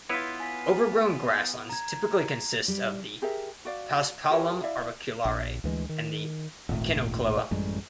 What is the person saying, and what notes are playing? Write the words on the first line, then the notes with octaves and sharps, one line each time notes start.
Overgrown grasslands typically consist of the "Paspalum arbiculare" and the Echinochloa.
B3 E4 F4 B4 C#5
G#5 B6
A#5 G#6
G3
G4 G#4 A#4 E5
F#4 D5 F5
F4 G4 A#4 C#5
E4 D5 E5 F5
A#1
D2 E3 G#3
D#3
D#1 G#1 A#2 A3
A1 F#2 G3 G#3